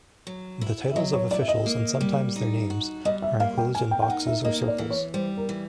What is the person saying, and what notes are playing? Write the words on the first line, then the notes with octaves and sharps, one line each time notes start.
The titles of officials and sometimes their names are enclosed in boxes or circles.
F#3
E4
E5
F#3 D#5
C#5
E4 D5
E5
D#5
A#3
G3
D#4
F#4
G3 D#5
E5
A#3 F5
G5
A#3 G#5
G5
G5
D#4 F#5
E5
A#3 D#5
D5
E3
C#5
G3 C5
A#4
E3